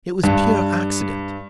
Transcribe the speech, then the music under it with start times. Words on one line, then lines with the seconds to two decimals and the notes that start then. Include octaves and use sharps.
It was pure accident.
0.24 G2